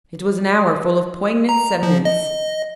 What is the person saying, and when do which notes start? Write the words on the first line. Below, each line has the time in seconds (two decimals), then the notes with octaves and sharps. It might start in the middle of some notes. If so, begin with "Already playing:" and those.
It was an hour full of poignant sentiments.
1.49 A#5
1.83 F3
2.05 D#5